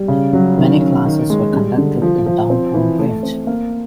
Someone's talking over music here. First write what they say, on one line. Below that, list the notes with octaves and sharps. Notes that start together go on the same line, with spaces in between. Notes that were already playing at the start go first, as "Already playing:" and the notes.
Many classes were conducted in downtown Rindge.
Already playing: G3
C#3
F#3
D#3
C#4
D#3
G#3
G3
D3
F3
F3
C4
E3
A3
C4
A#3